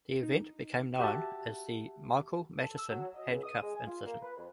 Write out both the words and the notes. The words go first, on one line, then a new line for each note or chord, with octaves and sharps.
The event became known as the "Michael Matteson Handcuff Incident".
D#4
F#4 G4 E5 F#5 A5
A4
E6
F#3
D#5
C#2
D#6
G#3
G#5
F4
A#3
B4
F2